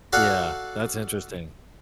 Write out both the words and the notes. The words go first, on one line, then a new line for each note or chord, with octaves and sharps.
Yeah, that's interesting.
F#4 A4 D5 F5 F#5